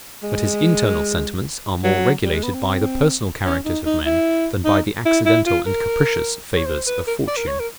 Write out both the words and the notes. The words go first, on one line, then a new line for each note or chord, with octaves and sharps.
But his internal sentiments are more regulated by the personal characters of men, than by the accidental and capricious favours of fortune.
G#3
F#3
G3
G#3
B3
C4
C#4
D#4
D#4
E4
D#4
E4
E4
F4
A#4
C#5
C5
B4
A#4
D5
A#4
C#5
A#4